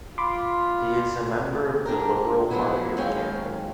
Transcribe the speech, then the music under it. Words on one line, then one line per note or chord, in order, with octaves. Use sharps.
He is a member of the Liberal Party of Canada.
F4 B5 C6 D6
D4 G4 A#4
F3 F#3 A3 B3 E4 F#4
D#2 F#3 G#3 C#5 F5 G5